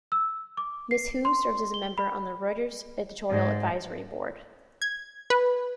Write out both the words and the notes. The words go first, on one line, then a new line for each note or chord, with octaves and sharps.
Ms Hu serves as a member on the Reuters Editorial Advisory Board.
E6
D6
C7
C6
G7
B5
G#2
G#6
B4